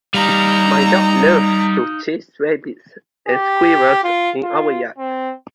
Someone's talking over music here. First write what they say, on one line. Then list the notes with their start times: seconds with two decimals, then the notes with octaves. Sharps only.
My dog loves to chase rabbits and squirrels in our yard.
0.14 G3 D#4 F5 A#5
3.28 G4
4.04 F4
4.43 F4
4.98 C4